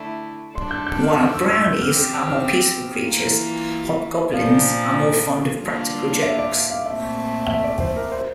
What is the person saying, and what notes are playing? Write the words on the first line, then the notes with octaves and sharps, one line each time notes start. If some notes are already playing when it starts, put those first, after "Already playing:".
While brownies are more peaceful creatures, hobgoblins are more fond of practical jokes.
Already playing: D3 A3 E4
G3 D4 A4 C6
G6
G6
F6
F6
E6
E6
G6
F3 C4 G4 F6
F6
F6
E3 A#3 F4
A#2 F3 A#3 D4 F5
D3 G3 A#3 D4 F4
E5
D5
F5
F5
A#2 A3 C4 E5
E5
D5
C5
A#4
C5